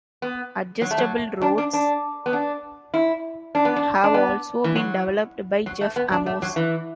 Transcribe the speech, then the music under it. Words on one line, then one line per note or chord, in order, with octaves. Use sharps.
Adjustable rods have also been developed by Jeff Amos.
B3
F#3
A3
F#3
D4
D4
D4
B3
D4
E4
D4
B3
D4
D4
B3
E3
F#3
F#3
A3
B3
D4
A3
F#3
E3